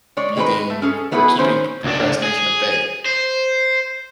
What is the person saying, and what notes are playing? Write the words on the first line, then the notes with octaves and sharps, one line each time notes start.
beating or keeping procrastination at bay.
G#3 C#5 D5
D#3 G#3 C4 C#4 A#4 B4
A3
C#4 G#4 A4
F#3 B3 D4 E4 G#4 B4
D#3 C4 C#4 C5
C#2 D4
G#4
C5